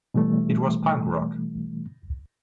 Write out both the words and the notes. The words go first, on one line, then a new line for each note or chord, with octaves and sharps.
It was punk rock.
B2 E3 G3 A3